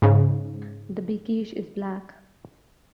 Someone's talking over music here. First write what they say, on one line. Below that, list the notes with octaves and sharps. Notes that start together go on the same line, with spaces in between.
The "Bekishe" is black.
G#2 C#3